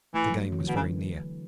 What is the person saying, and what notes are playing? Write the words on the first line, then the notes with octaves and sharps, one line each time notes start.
The game was very near.
E3 A3
F#3
F#3
E3
D3
B2 E3
C#3